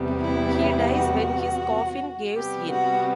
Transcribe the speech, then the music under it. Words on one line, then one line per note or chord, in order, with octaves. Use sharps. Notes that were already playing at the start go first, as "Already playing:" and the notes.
He dies when his coffin caves in.
Already playing: E2 C3 G3 B3
E4
F#4
C3 G3 B3 G4
F#4